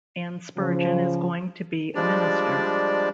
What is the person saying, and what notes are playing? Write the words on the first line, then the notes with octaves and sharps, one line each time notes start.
Ann Spurgeon is going to be a minister.
C#3 F3
F3 G3 G#3 D4 D5